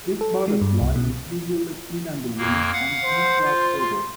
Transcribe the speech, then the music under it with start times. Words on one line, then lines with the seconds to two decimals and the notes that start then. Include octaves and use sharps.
This butterfly is usually seen on the wing from June to October.
0.21 A4
0.48 G#3
0.62 G2
0.81 C2
0.96 B2
2.37 F2 A#3
2.73 F5 F#5
3.04 C5
3.44 F4
3.78 C6